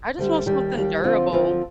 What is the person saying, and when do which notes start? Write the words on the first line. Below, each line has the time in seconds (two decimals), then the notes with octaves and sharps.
I just want something durable.
0.18 D2 D3 G3
0.46 D#2 D#3 G3
0.75 D#2 D#3 G3
1.04 D3 F3 C4 F4
1.32 D3 F3 C4 F4